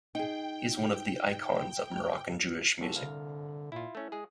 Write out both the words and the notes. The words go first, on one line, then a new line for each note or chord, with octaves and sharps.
He is one of the icons of Moroccan Jewish music.
D#4 G#4 G5
G#1 F#3 A4
C2 D3 F5
A#2 E4 F4
A3 C#4 E4
G#3 G#4